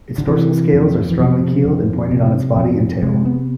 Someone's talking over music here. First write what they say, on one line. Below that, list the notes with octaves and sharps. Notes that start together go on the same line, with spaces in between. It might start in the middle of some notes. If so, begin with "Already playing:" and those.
Its dorsal scales are strongly keeled and pointed on its body and tail.
D3
C3 E3
F2
E3
C3 F3
F2
C3
F2
C3 G#3
B3